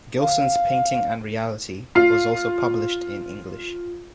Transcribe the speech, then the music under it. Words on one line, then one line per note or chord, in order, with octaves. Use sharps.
Gilson's "Painting and Reality" was also published in English.
F5
F4 C7